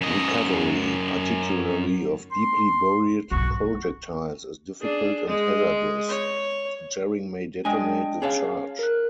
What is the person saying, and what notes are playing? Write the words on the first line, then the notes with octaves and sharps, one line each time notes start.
Recovery, particularly of deeply-buried projectiles, is difficult and hazardous-jarring may detonate the charge.
F#2 D#5
C6
B1 G2 F#4
D4 G#4
G#3
C#5
G#3 D4 D#5 G5 G#5
C#4 G#4 C#5 F5 A5
A#4 F#6